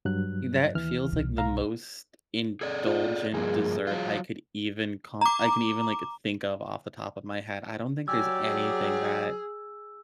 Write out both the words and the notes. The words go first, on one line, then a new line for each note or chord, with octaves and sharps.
Y that feels like the most indulgent dessert I could even comp I can even, like, think of, off the top of my head, I don't think there's anything that
G2 F#3 F#6
D#2 E3 F6
C2 B2
F5 A#5
G#4 A4 D5 G#6
F4
G2 F3 A#3 G#4
F#3 F4
A#5 D6
F#3 G4 D5 G#5 E6
G#4